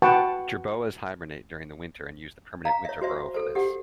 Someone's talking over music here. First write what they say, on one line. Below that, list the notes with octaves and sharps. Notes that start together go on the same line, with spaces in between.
Jerboas hibernate during the winter and use the permanent winter burrow for this.
F#4 B4 F#5 G5 A5 C#6
F5 A#5
C#5 E5
F#4 C5 E5
A4 C5
G4 F#5